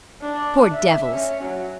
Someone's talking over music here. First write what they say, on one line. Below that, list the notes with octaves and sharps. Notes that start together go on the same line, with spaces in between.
Poor devils!
D4
E5
C#4
F#3